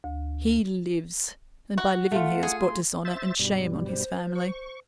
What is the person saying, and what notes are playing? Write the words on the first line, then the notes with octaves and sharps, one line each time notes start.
He lives, and by living he has brought dishonour and shame on his family.
D2
F#4
A3 F4 F#5
G#4
C6
C5 E5 A6
G2 B2 G3
C5
C#6